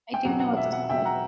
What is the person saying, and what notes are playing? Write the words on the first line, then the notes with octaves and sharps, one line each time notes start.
I do know what those look like.
G5
E1 E2 B2 F#3 F#5
F#5
E5
F#5
E1 E2 B2 F#3 E5 G5
F#5 A#5